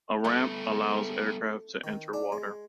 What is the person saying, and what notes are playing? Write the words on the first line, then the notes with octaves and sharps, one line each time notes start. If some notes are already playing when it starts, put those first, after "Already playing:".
A ramp allows aircraft to enter water.
G3 A3 B3
D#3
D4
G#3